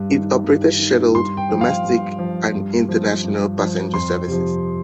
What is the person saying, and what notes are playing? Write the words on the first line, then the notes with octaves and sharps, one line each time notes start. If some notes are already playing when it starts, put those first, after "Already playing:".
It operated scheduled, domestic and international passenger services.
Already playing: G2
D#3
G2
D#3
G2 C6
G5
F3
F5
G2
F3
G2
F3
G2
F3
F2 C6
C3 F3